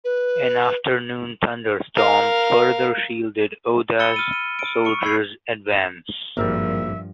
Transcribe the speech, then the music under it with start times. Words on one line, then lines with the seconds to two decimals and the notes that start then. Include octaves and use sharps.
An afternoon thunderstorm further shielded Oda's soldiers' advance.
0.05 B4
1.95 A#4 F5
3.99 B5 E6 A6 C#7 G7
4.16 F6 D#7
4.33 D#7
4.59 D7
4.85 C#6 C#7
5.02 B5 E6 G#6 C7
6.37 G#1 G2 A#2 F3 G3 A#4 E5